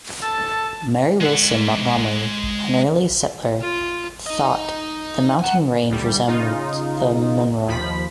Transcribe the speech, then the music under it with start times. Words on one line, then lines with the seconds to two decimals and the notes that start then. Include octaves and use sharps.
Mary Wilson Montgomery an early settler thought the mountain range resembled the Munro.
0.22 A4 A5
1.21 G#3 F#5
3.61 F4
4.27 D#4 D#5
5.39 F#5 G#5 A#5
5.90 D2 G3
6.28 C#3 D#4 F4
7.67 D#2 F3 B5 B6